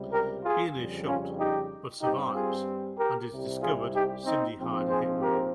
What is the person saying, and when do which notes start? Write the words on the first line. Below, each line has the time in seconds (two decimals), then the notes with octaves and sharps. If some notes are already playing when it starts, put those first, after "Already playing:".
Ian is shot, but survives and is discovered Cindy hired a hitman.
Already playing: C#2 C3 G3
0.11 G4 A#4
0.43 F4 G#4
0.75 F2 C#3 G3
1.07 C#4 F4
1.39 D#4 G4
2.02 G2 G3 C4 D#4 G4
2.34 F4 G#4
2.98 G4 A#4
3.29 C2 C3 G3
3.61 F4 G#4
3.93 D#4 G4
4.25 C4 D#4
4.58 A#1 G#2 F3 C4
4.89 G#4 C5
5.20 G4 A#4